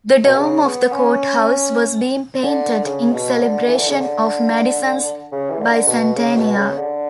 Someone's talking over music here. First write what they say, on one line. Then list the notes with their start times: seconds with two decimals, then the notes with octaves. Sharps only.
The dome of the courthouse was being painted in celebration of Madison's bicentennial.
0.24 B2
0.36 C#3
0.65 B3
0.92 C#4
2.43 D3
2.85 C#3
3.13 B2
3.40 D3
3.67 E3
3.78 D3
3.88 C#3
3.99 D3
5.32 C#3
5.50 E3
5.60 D3
5.88 B2
6.16 C#3
6.35 B2
6.56 C#3
6.77 D3